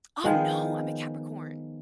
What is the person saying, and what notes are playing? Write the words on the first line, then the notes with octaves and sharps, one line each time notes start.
Ah, no, I'm a Capricorn.
D#3 F3 G#3 B3